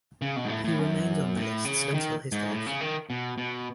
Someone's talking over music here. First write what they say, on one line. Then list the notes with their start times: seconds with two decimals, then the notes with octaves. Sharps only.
He remained on the lists until his death.
0.22 C#3
0.36 B2
0.45 G#2
0.50 A2
0.64 A2
0.79 F#2
1.37 A2
1.65 C#3
1.94 D#3
2.32 G#2
2.51 A2
2.66 C#3
2.81 D#3
3.10 B2
3.38 B2